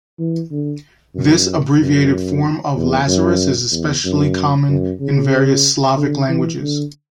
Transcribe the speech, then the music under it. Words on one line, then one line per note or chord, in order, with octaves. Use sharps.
This abbreviated form of Lazarus is especially common in various Slavic languages.
E3
D3
F#2
F#2
E2
F#2
E2
F#2
F#2
C#3
D3
E3
D3